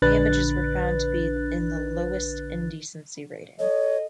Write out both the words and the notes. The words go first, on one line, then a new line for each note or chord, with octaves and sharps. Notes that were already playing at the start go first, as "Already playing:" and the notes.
The images were found to be in the lowest indecency rating.
A#1 D3 D4 B4 F#6 A6
A4 C#5 D#5